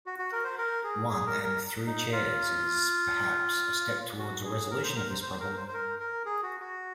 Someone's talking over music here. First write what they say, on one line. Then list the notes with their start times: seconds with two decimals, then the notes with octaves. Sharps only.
"One and Three Chairs" is, perhaps, a step towards a resolution of this problem.
0.06 F#4
0.19 F#4
0.32 A#4
0.44 C5
0.58 A#4
0.84 G#4
1.10 G#4
1.27 A#4
1.44 A#4
1.87 D#4
2.12 F4
4.19 F#4
4.45 G#4
4.71 A#4
4.84 C5
4.96 A#4
5.10 C5
5.22 C5
5.40 A#4
5.57 C5
5.68 C5
5.74 A#4
5.99 A#4
6.25 G#4
6.43 F#4
6.60 F#4